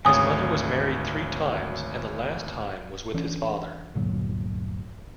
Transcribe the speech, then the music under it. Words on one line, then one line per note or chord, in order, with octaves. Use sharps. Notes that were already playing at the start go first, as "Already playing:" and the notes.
His mother was married three times and the last time was with his father.
G#1 D2 C#5 G#5 D#6
E3 C#4 D4
G1 D2 A#2 F#3